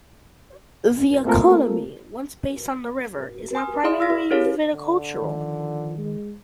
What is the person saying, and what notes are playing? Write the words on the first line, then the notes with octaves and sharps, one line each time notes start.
The economy, once based on the river, is now primarily viticultural.
A3 A#3 C4 F4 A4 A#4
G#5 C6 D#6 F6
E4 G#4 D5 F5 C6 D#6
E6 F6 A#6 B6
E4 G4 G#4 A#4 C#5 F5
D3
D#3 F3
G#3